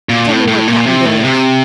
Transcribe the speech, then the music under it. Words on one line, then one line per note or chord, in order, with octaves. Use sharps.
"Tell me where Cap'n Bill is."
A#2
A2
A2
A#2
C3
A2
C3